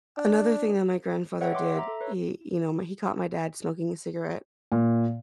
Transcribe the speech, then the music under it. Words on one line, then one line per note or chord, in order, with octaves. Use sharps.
another thing that my grandfather did, he, you know, my he caught my dad smoking a cigarette,
D4
B4 C#5 D#5 E5 F#5 G5
C6 D6
E5 A#5
A4
B4 C#5
A#2